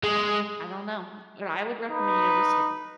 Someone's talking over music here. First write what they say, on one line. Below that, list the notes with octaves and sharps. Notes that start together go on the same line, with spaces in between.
I don't know. What I would recommend, you know, just the, like,
G#3
D#4 B4